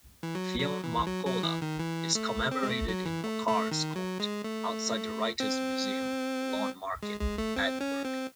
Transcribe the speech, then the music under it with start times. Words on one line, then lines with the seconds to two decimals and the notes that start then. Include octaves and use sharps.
Fionn Mac Colla is commemorated in Makars' Court, outside The Writers' Museum, Lawnmarket, Edinburgh.
0.23 E3
0.35 F#3
0.59 F#3
0.84 E3
1.07 F#3
1.25 F#3
1.43 E3
1.62 D#3
1.79 E3
2.15 A3
2.51 C4
2.63 G#3
2.69 A3
2.88 F#3
3.05 E3
3.24 A3
3.47 A3
3.71 D#3
3.96 F#3
4.20 G#3
4.44 A3
5.40 C4
7.03 G#3
7.20 G#3
7.38 A3
7.56 C4
7.81 C#4
8.05 C4